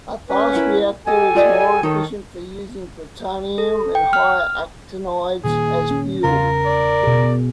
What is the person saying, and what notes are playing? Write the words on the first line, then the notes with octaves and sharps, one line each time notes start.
A fast reactor is more efficient for using plutonium and higher actinides as fuel.
C#4 B4
E4 A#4 F#5
G4 A4 D#5 G#5
F4 D5 D#5
D#3 D#4 A4 C#5
A4
G5
F6
A#2 D#3 A#3 G#4
C#4
E2 C#3 F4 A#4
D5
B2 G#4